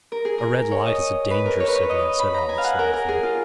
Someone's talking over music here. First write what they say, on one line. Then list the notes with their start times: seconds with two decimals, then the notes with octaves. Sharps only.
"A red light is a danger signal," said Alice, laughing.
0.12 A#4
0.25 G#4
0.38 A#4
0.71 C#5
0.86 D#5
1.31 B4
1.46 A#4
1.60 C#5
1.67 B4
1.75 C#5
1.90 D#5
2.19 B5
2.34 A#5
2.49 G#5
2.58 F5
2.64 F#5
2.79 A#4
2.93 A#4
3.09 G#4
3.23 F4